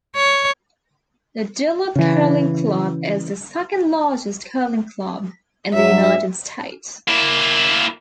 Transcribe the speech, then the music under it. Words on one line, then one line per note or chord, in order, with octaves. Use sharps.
The Duluth Curling Club is the second largest curling club in the United States.
C#5
C#3 E3
G2 F#3 E5
A#3 E4